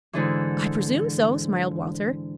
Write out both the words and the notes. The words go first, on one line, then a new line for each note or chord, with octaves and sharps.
"I presume so," smiled Walter.
G#2 D3 E3